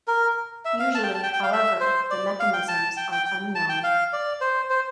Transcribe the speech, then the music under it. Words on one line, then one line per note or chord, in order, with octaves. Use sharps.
Usually, however, the mechanisms are unknown.
A#4
E5
F5
A5
G5
A5
G5
G5
F5
E5
C5
D5
F5
G5
A5
G5
G5
G5
A5
G5
F5
D5
C5
C5